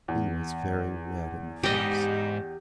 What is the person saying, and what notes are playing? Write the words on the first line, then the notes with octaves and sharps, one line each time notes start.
He was very red in the face.
E2
G#2 G3 G4 D#5